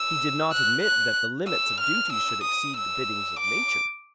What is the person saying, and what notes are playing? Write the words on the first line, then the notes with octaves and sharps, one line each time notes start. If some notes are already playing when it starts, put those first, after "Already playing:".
He did not admit that the limits of duties should exceed the biddings of Nature.
Already playing: E6
F#6
F#6
E6
F6
E6
D#6
E6
D6